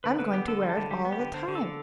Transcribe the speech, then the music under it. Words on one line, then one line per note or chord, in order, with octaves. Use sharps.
"I'm going to wear it all the time."
D3 B4
D3 B4
B3 G4
D3 A4
G3
A4
D3
G3 G4
B3
G4
D3
D3 C5
D3
A4
D3